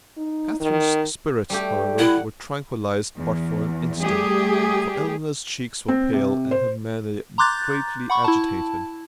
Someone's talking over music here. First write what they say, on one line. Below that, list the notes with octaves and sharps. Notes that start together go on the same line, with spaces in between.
Catherine's spirits, however, were tranquillized but for an instant, for Eleanor's cheeks were pale, and her manner greatly agitated.
D#4
D#3
G3 A3 G4
E4 F#5
E2
G3 A3 G4 G#4
C4
C3
C5
A#5 C6 D6 F#6 G6 A6
F#5 B5 C#6
E4 A5